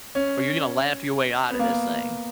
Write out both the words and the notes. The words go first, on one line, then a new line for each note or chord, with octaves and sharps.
or you're gonna laugh your way out of this thing."
C#4
B3
A#3
B3